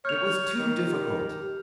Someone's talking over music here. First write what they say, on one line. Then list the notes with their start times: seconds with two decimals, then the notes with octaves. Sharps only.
It was too difficult!
0.05 C#5 F6 G6 F7
0.59 D#3
0.87 G4